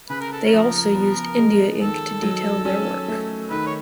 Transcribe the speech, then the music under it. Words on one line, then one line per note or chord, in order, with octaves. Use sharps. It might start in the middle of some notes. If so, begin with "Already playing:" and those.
They also used India Ink to detail their work.
C#3 B4
A#4
A4
C#4 A#4
F3
B3
G#3
D#3 A4
F#3
C#4
A3
D#3 B4
C#5